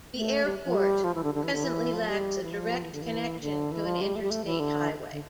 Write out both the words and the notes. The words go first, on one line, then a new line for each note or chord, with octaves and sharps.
The airport presently lacks a direct connection to an Interstate Highway.
A3
G3
F3
G3
F3
E3
D3
D3
E3
D3
E3
F3
G3
E3
F3
E3
D3
E3
D3
E3
F3
G3
A3
G3
A3
E3
D3
D3